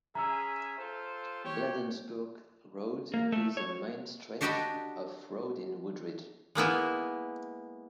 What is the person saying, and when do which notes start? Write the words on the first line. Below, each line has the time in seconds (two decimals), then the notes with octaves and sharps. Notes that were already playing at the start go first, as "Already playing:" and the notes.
Bladensburg Road is a main stretch of road in Woodrige.
0.15 C#4 G#4 E5 A#5 E6
0.78 F4 A4 C5
1.45 G4 C#5
3.14 A#3
3.32 A3
3.57 C#5
4.41 D4 F#4 G4 D#5 A5 B5
6.55 G#3 A#3 B3 E4